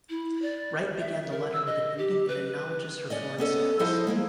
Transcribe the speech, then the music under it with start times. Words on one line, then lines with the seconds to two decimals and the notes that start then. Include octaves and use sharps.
Wright began the letter with a greeting and acknowledges her foreign status.
0.09 E4
0.42 D5
0.99 E5
1.31 A#4
1.52 E6
1.66 D#5
1.98 G4
2.28 B4
3.10 C#4 D5 D#5
3.38 B3 C#4 A4 D#5
3.79 F3 E4 A4 C5 D#5 F5
4.07 G#3 A#3 E4